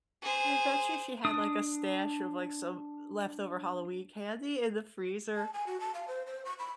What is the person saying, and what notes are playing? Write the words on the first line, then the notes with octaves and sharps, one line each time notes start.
I bet you she had, like, a stash of, like, some l leftover Halloween candy in the freezer.
G#4 C5
D4 D#6
A5
G#5
F#4
A5
F5
C5
C5
C#6
B5